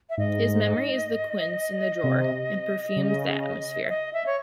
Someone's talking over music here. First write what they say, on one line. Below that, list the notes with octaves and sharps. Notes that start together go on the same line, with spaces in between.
His memory is the quince in the drawer and perfumes the atmosphere.
E5
G#2 D#5
C3
C#3
E5
D#5
E5
C#5